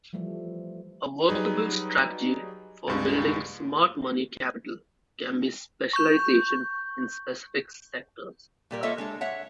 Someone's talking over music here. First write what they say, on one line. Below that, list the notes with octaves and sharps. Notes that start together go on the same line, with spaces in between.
A workable strategy for building smart money capital can be specialization in specific sectors.
E3 F3 G3 A3
F#3 G3 D#4 G#4 B4
C#2 G2 G#3
C#6 G6
A#2 G3 A#4
A#3 F4 A4 C#5 D#5 E5
G#3 D4 A4
C#5 E5 F#5